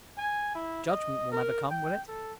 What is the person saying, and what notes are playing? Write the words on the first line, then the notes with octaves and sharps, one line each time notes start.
Judgment will never come, will it?
G#5
E4
D#5
A#4
G5
A4